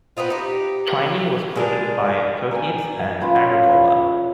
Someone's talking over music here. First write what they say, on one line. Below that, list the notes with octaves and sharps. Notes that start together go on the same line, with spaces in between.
Pliny was quoted by Photius and Agricola.
B3 C4 D#4 F4
D#4 G4
G#3 D4 A#4
A#4 D5 G5 G#5
C#4 F4 B4 C#5